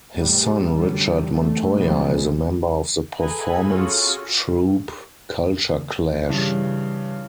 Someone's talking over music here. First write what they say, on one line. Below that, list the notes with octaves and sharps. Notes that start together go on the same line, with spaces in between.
His son Richard Montoya is a member of the performance troupe Culture Clash.
A2 G3
D3 F#3 G3
A3
B2 F3 G3 G#3
G#4 A4 B4 G#5 A#5 B5
C#4 F4 F#4 G#4 A4 C#5
G2 C#3 E3